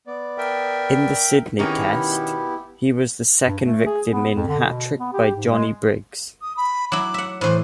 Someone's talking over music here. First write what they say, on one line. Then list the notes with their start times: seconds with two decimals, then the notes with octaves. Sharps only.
In the Sydney Test, he was the second victim in hat-trick by Johnny Briggs.
0.07 B3 D5
0.38 A#4 E5 G5
1.59 D#3 B3 C#4 E4 G4 G#4 A#5
2.02 B2
3.47 G2
3.64 A3
3.86 G#4
4.10 B3
4.34 F2
4.48 D3
4.63 B2
4.99 B3
5.13 G4
5.35 G#2
5.51 G#3
6.42 D#6
6.57 B5
6.92 F#3 E4 D6
7.14 E5 F#5
7.41 A2 E3 C5